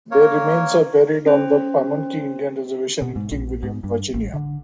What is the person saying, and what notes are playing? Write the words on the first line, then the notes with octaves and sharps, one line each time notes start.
Their remains are buried on the Pamunkey Indian Reservation in King William, Virginia.
A#3 A#4 C#5
C#4 C5
B2
G#2
A#1
G#2
G2
A1
D3